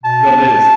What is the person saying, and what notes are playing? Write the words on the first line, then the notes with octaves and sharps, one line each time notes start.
That is.
B2 A5
B3 D4
B2 A5